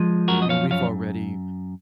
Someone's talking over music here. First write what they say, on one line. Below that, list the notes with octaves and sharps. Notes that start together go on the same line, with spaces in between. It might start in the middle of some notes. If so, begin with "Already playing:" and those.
I mean, we've already
Already playing: F3 G#3
F#2 F#4 A#4
D#5
C#5 F5
F#2 C#5 F5